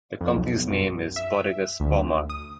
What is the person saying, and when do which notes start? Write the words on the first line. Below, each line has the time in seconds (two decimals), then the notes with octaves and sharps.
The company's name is Bodegas Pomar.
0.21 F2
0.36 B1
0.71 F#2
1.16 E5
1.80 D2
2.30 D#6